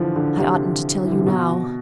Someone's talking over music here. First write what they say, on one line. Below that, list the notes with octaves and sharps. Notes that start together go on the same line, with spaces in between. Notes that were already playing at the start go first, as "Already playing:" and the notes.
I oughtn't to tell you now.
Already playing: D3 E3 F3
D3
C3
E3
D3
C3
B2